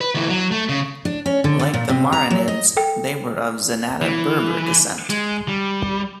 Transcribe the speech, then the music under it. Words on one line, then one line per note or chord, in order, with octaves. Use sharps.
Like the Marinids, they were of Zenata Berber descent.
B4
D2 E3
F#3
A3
C#3
D4
C#4
D3
D3
A#2
C3
A#5
F#3
D#5
A4 G5
E3
G#3
G3